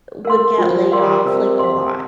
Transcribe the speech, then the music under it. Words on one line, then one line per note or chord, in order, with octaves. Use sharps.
would get laid off, like, a lot,
A#4 F5 C6
F3 F4
G3 A#4 F5 C6
C3 A#4
F5 C6